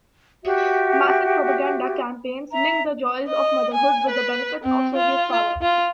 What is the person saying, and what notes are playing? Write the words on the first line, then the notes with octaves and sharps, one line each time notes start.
Massive propaganda campaigns linked the joys of motherhood with the benefits of Soviet power.
F#4 G4 E5
E5 A#5
D#5
G#5
B4
C4
F4
F4
F4